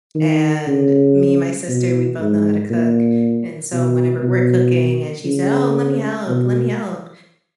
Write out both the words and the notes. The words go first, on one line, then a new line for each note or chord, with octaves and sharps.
And me and my sister, we both know how to cook, and so whenever we're cooking, and she said, "Oh, let me help, let me help."
D#3
C#3
B2
G#2
A#2
B2
B2
C#3
B2